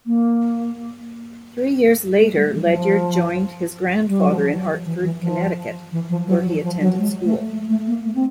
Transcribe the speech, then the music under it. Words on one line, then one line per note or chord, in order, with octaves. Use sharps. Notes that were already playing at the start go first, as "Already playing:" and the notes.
Three years later Ledyard joined his grandfather in Hartford, Connecticut, where he attended school.
A#3
A3
G3
E3
F#3
F3
G3
F#3
F3
F3
F#3
F3
E3
E3
F3
E3
F3
F#3
F3
F3
F#3
G#3
A3
A3
A3
A#3
A3
C4